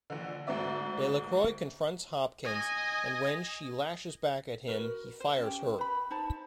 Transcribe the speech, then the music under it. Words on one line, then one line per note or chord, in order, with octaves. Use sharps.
Delacroix confronts Hopkins, and when she lashes back at him, he fires her.
A#1 D3
D2 G#2 C4 D5 E5
D#5 G#5
F#4 A#4 B4
C5
C#4 G4
B4 B5
D#4 C5 A5